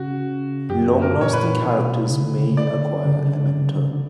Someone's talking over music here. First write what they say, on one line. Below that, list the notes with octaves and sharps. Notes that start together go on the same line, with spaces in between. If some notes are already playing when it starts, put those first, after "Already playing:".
Long-lasting characters may acquire a mentor.
Already playing: C#3 F#4
F#2 G4
A#4
A#2 C#5
B4
B2
C#3
D3
C#3
D3 D5
C#3
D3
C#3
D3
C#3
D3
C#3
D3
C#3
D3